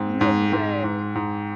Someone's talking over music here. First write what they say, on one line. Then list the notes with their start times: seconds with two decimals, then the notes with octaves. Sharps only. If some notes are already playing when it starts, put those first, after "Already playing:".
No way!
Already playing: G#2 C4
0.21 G#2
0.53 G#2
0.84 G#2
1.15 G#2